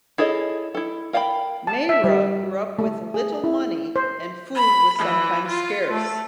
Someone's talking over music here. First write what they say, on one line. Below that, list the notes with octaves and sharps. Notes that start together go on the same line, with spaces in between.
Mayra grew up with little money and food was sometimes scarce.
E4 G#4 A4 C#5 D#5
E4 A4
A#4 F5 G5 G#5 B5
A5
E5
G3
A3
G#4
E4
C5
B5
E3
F4
A3